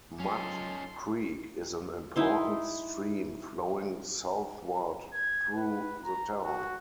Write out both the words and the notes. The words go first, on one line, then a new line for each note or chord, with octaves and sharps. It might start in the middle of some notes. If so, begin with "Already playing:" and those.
Mud Creek is an important stream flowing southward through the town.
F#3 C#4 D#4 F4 A4 C6
D#4 E4 C6
G#6
B4
A#5
F#4